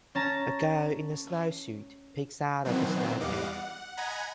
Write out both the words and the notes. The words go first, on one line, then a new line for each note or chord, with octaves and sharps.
A girl in a snowsuit peeks out of a snow cave.
C#4 A5 A#5
B2 D#3 E3 F#3 B3 C4
E2 G3 D#5 F5 F#5 D6
F#5
D#5 F#5 G#5 A#5 B5 G#6